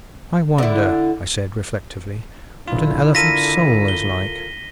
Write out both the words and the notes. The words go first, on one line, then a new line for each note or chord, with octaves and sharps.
"I wonder," I said reflectively, "what an elephant's soul is like!"
D3 E4
A#1 D3 E4 F4
F4 A4 A#4 A#6 B6 D#7
G7